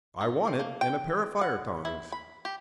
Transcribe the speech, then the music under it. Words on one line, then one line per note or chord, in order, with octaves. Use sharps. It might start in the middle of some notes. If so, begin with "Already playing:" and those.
"I want it, and a pair of fire-tongs."
D#4
C4
A#3
G5
F#5
E4
B5
G4